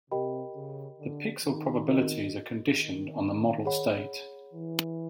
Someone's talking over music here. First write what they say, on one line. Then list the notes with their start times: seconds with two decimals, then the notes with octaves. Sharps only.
The pixel probabilities are conditioned on the model state.
0.11 C3 G4 A#4 D#5 G5 B5
0.55 C#3
1.00 D3
1.44 D#3
1.89 F#4 A#4 D#5
2.77 D#3
3.65 G#4 C#5 F#5 B5
4.54 E3